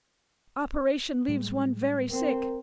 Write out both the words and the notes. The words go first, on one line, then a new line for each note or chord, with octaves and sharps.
Operation leaves one very sick.
A2 G3 G#3
C4 A#4